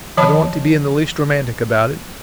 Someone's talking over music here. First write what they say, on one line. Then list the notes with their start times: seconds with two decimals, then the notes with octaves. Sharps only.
I don't want to be in the least romantic about it.
0.17 D#3 F3 C#5 A5 B5 D6